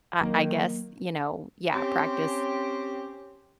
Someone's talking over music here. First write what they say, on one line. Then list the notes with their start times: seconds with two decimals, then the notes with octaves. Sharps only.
ah I guess, you know, yeah, practice
0.21 D#3 F#3 A#3
1.72 C4 C#4 G4